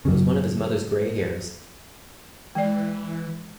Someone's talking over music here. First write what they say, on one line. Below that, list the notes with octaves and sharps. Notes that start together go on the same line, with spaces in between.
It was one of his mother’s grey hairs.
F#2 C#3
E3 G#3 D5